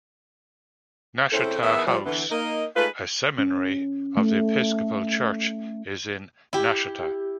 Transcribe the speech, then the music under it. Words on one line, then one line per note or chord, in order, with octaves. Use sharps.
Nashotah House, a seminary of The Episcopal Church, is in Nashotah.
C#3 C4 C#4 E4 A4 C5
D#3 B3 E4 G#4 E5
F3 G3
D3 E3 B3
A#3 D#4 D#5
G#3 A3 D#4 F4 B4
C#4
A3
E4 G4